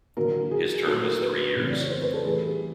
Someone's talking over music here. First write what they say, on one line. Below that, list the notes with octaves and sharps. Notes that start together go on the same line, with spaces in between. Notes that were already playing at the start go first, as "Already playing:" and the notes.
His term is three years.
D3 F#3 A#3 A#4
G#4
A#2 F#3 A3 A4
A#4
B4
F2 C#3 E3 A3 C4
D5
C#5
C5
B4
A4
A2 E3 G3 G#4